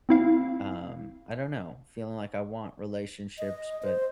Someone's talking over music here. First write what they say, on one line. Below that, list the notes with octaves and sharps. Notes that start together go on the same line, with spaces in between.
um, I don't know, feeling like I want relationships, but
C4 E4 F5
D#5
C5